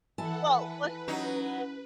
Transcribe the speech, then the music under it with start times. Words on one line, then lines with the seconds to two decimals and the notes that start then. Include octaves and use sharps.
Well, what
0.18 E3 E4 A4 F#5 G#5 A5
0.54 B4
1.08 F#3 C#4 D#4